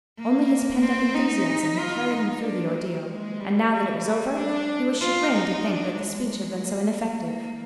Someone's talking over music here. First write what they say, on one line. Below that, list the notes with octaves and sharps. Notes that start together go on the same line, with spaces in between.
Only his pent-up enthusiasm had carried him through the ordeal, and now that it was over he was chagrined to think that the speech had been so ineffective.
A#3
C4
D#4
F4
D#4
D4
A#3
G#3
G3
G3
G3
D4
F4
D#4
D4
G#3
A#3
A#3